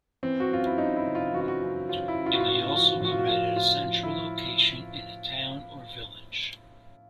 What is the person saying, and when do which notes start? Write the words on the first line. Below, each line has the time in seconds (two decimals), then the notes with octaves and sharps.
It may also be read at a central location in a town or village.
0.23 E3 C4
0.40 F#4
0.50 F#2 F4
0.66 E4
0.78 F#2 D#4
0.96 E4
1.07 C#3
1.15 F4
1.34 E3 F#4
1.41 F4
1.48 F#4
1.62 F#2
1.89 F#2 F4
2.08 E4
2.18 C#3
2.26 F4
2.34 F#4
2.40 F4
2.45 A2 F#4
2.55 F4
2.61 F#4
2.69 F4
2.73 F3 F#4
2.84 F4
2.90 F#4
2.97 F4
3.00 A2 F#4
3.12 F4
3.19 F#4
3.26 F3 F4
3.56 A2 F4
3.83 F3
4.03 E4